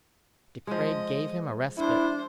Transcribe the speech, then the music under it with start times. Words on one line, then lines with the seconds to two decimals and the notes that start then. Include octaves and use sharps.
De Craye gave him a respite.
0.67 F3 G#3 D#5
1.77 D4 E4 C5